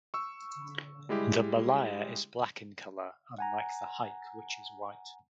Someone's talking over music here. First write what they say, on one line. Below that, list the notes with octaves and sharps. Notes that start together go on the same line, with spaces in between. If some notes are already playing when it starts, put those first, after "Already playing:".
The M’laya is black in colour unlike the haik which is white.
C#6 E6
G3 G#3 E4 G4
F#5 G#5 A#5